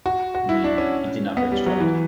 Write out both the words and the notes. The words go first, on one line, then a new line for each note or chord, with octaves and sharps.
I mean, he did not break stride.
F#4
F#4
E4
D4
C#4
B3
G3
F#3
E3